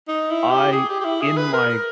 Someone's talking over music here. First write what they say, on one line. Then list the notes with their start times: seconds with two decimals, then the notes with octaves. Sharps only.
I, in my
0.08 D#4
0.30 E4
0.51 G4
0.72 G#4
0.89 G4
1.00 G4
1.05 E4
1.21 G#4
1.37 B4
1.53 A#4
1.69 A#4